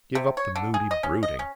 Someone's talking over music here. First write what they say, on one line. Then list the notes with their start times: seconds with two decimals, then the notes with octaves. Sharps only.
Give up the moody brooding.
0.15 C3
0.37 C#5
0.55 D3
0.74 G#4
0.91 D#5
1.03 C#4
1.23 D#5
1.39 C#4